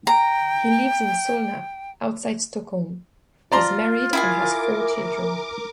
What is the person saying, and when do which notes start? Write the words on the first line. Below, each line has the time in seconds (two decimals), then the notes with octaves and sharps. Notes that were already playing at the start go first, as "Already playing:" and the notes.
He lives in Solna outside Stockholm, is married and has four children.
0.07 G5 A#5
3.52 F4 D5 A#5 C6
4.13 E4 G#4 A#4 G#5 D6